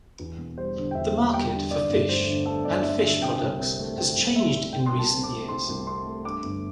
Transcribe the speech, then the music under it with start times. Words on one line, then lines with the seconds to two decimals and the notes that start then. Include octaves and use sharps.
The market for fish and fish products has changed in recent years.
0.19 E2
0.38 E1
0.58 G3 C5
0.76 D3
0.91 G5
0.95 E2 E5
1.14 E1
1.33 G3 G5
1.52 D3
1.71 G2 D5
1.89 G1
2.08 A3 C5
2.27 D3
2.46 G2 A4
2.65 G1 D5
2.84 A3 E5
3.03 D3 E5
3.21 C3 G5
3.41 C2
3.59 C4
3.79 A3
3.97 C3 G5
4.16 C2
4.36 C4 E5
4.54 A3
4.73 C3 G5
4.86 C6
4.93 C2
4.99 A5
5.11 C4
5.23 D6
5.29 A3
5.49 C3 C6
5.68 C2
5.87 C4 C6
6.06 A3
6.24 G2 D6
6.43 G1